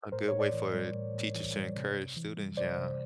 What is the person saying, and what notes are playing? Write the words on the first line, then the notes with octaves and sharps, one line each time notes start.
A good way for teachers to encourage students, yeah.
A2 A#4 C5
A2 C#5
C5 D5
E3
G3
A2
A2
E3
G3
C3
C3
E3
G3
C3 C5 D5
C3